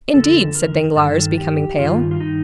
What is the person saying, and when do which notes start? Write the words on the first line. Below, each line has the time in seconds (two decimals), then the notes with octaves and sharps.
"Indeed?" said Danglars, becoming pale.
0.14 F2 D3 A4
0.55 A#4
0.96 G2 D#3 A4
1.38 G4
1.79 G2 D#3 F4
2.11 F4
2.20 D#4